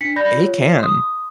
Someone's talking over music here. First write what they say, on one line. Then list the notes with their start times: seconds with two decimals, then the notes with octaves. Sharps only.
A can.
0.01 D4 B6 C#7
0.16 D5 B5 G6 A#6
0.35 F4 C#5
0.79 C6 D#6